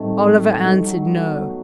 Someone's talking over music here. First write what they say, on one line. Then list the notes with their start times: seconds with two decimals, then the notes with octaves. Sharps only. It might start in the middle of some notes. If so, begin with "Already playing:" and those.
Oliver answered no.
Already playing: A2 D#3 G3 A3 C4 D#4
0.64 G3 D#4 A4
0.86 F#3
1.07 B3